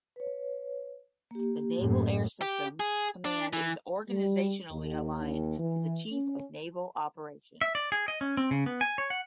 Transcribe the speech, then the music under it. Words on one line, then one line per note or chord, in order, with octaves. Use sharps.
The Naval Air Systems Command is organizationally aligned to the Chief of Naval Operations.
B4 C#5
A#3 G4
F#2 A2
G4
G#4
D4
E3
G3
D#2
E3
C#4
E5
D5
G#4
D#5
C#4
C4
C#3
B3
G#5
C#5
F#5